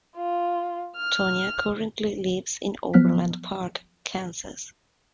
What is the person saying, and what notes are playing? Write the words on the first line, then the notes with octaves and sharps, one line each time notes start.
Tonya currently lives in Overland Park, Kansas.
F4
F6
F3 F#3 B3 F6 F#6 B6